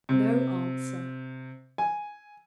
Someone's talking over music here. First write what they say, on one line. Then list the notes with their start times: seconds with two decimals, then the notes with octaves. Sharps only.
No answer.
0.09 C3
1.78 G#5